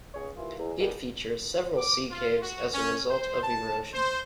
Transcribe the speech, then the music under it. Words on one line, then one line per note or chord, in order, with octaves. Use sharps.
It features several sea caves as a result of erosion.
C#2 G#4 C#5
D#2 E3 F4
E2
G#2 B2 G3 A#3
D6
F4
F#4
C#4
C5
A5
C5